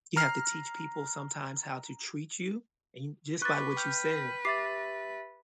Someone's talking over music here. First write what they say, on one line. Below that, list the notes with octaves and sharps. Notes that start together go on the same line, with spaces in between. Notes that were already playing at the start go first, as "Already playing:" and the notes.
"You have to teach people sometimes how to treat you," and, just by what you said,
A#5 F6 C7
B4 C#6 D6 F#6 A6
G5 F6 G6
G4 E5 D6 A6 C7